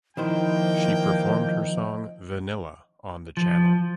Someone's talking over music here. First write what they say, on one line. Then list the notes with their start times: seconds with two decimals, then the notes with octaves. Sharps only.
She performed her song Vanilla on the channel.
0.17 D#3 F3 A#3 E4 C5 D#5 G5
3.37 F3